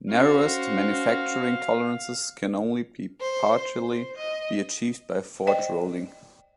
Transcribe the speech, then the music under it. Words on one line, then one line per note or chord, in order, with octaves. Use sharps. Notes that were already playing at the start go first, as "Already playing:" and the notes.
Narrowest manufacturing tolerances can only partially be achieved by forge rolling.
C#4 F#4 C5 F5
C5
C5
D#5
C5 D5 D#5 G5